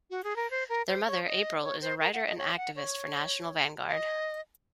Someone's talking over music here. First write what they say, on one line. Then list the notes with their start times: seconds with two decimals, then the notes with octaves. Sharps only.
Their mother, April, is a writer and activist for National Vanguard.
0.10 F#4
0.24 G#4
0.36 A#4
0.50 C5
0.69 A#4
0.88 C5
1.06 C#5
1.25 D#5
1.63 C#5
1.81 C5
2.00 A#4
2.13 F#5
2.26 D#5
2.38 C#5
2.57 F#5
2.76 C#5
3.88 F5
3.92 D#5